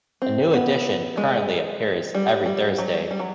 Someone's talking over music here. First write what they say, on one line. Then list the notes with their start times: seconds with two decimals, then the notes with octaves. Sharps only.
A new edition currently appears every Thursday.
0.22 C4
0.54 B3
1.17 G#3
2.15 G3
2.46 G3
2.78 F#3
3.11 G3
3.19 F#3